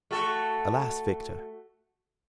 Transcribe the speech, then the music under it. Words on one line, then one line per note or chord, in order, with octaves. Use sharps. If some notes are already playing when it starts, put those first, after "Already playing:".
Alas, Victor!
A3 F#4 A4